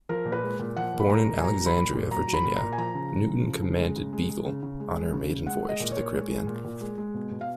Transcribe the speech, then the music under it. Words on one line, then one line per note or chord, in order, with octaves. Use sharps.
Born in Alexandria, Virginia, Newton commanded "Beagle" on her maiden voyage to the Caribbean.
F3 A#4
A#2
B4
G#3
A#2
F3 F#5
A#2
B5
G#3 A#5
A#2
G#5
F#3 A#5
F#3
B5
A#2
A#2
F#3 A#5
F#3
B5
A#2
A#2 A#5
G#5
F3 A#5
C#3
G#3
C#3
F3
C#3
G#3
C#3
G#3
G#3
C#3
C#3
G#3
G#3
C#3
C#3
G#3 F#5
G#3 D#5
A#2
C#5
A#2
G#3
G#3
A#2
A#2
G#3
G#3
B2
B2
F5